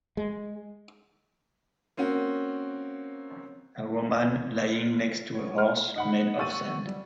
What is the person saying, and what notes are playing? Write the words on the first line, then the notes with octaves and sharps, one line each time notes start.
A woman lying next to a horse made of sand.
G#3
A#3 C4 C#4 F#4
C#5
F6
D#4 F#5 B5
G4 F#5 C#6 E6 A6 D#7
G3